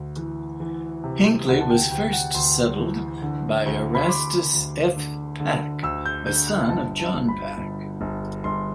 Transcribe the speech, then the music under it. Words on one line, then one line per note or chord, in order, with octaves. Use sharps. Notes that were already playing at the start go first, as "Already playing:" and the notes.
Hinckley was first settled by Erastus F. Pack, a son of John Pack.
Already playing: D2
E3
E3
C3
D2 F#5
A5
G5
D2 G5
F#5
D2 C6
E3
D3
D2
B5
C6
D2 D6
D2
D3
D3
D2 E6
G6
D3 G6
F#6
G1 A5
A5
G1
B5
G1
G1
G1 C6